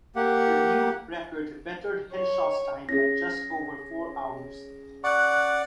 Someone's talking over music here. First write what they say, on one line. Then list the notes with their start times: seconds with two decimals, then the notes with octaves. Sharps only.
The new record bettered Henshaw's time by just over four hours.
0.16 A#3 G4 F#5
2.13 C#5
2.89 C#4 G#4 A#6
5.04 D5 F#5 C#6 F#6